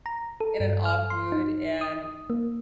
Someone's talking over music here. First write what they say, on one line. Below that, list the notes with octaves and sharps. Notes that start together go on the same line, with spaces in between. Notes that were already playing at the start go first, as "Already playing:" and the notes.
in an off-mood, and
A#5
A4
G2
F6
C6
D#4
D#6
A#3